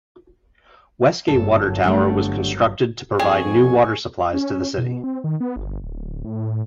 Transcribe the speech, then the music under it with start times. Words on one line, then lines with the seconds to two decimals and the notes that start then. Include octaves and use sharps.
Westgate Water Tower was constructed to provide new water supplies to the city.
1.28 G1 F#3 A4
1.84 D3 G3 A3
3.20 F2 G#4 G5 G#5 C#6
4.34 C#4
4.78 B2
5.04 C4
5.24 D#3
5.40 B3
5.56 G1
5.83 D1
6.25 A2